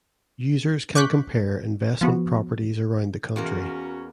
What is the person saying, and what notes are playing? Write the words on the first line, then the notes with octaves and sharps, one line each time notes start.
Users can compare investment properties around the country.
C#6 D6 F#6 G6 B6
F3 B3 F#4
E2 A#3 C#4 F#4 A#4